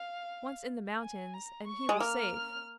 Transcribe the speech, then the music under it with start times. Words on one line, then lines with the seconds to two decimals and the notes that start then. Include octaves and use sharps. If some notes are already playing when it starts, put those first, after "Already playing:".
Once in the mountains and he was safe!
Already playing: F5
1.00 G#5
1.34 A#5
1.67 C#6
1.89 G#3
2.00 A#3 F6